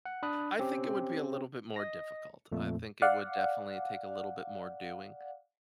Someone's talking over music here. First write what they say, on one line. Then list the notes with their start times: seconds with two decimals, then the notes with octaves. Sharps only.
I think it would be a little bit more difficult; I think it would definitely take a little bit more doing.
0.06 F#5
0.23 D4 B5 D#6 F#6
0.59 C4 C#4 G4
1.76 D#5 A#6
2.52 F2 A#2 A3
3.02 D5 F5 F#5